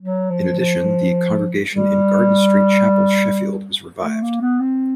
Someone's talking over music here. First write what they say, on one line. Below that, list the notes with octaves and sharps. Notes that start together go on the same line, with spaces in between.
In addition, the congregation in Garden Street chapel, Sheffield, was revived.
F#3
F3
F3
G3
A3
A#3
B3
C4